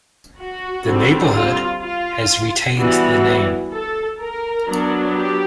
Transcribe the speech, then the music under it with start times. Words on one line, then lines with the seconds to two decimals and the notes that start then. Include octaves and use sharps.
The neighbourhood has retained the name.
0.39 F#4
0.86 D3 G3 C4
1.34 F4
1.82 F4
2.76 E3 G3 B3 F#4
3.73 A4
4.20 A#4
4.67 F#3 B3 D4
5.16 G4